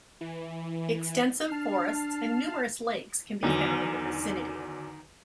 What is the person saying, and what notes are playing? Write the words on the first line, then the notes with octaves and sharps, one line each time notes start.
Extensive forests and numerous lakes can be found in the vicinity.
E3
D4 A5 F6 C7
E2 D3 D#3 F#3 D#4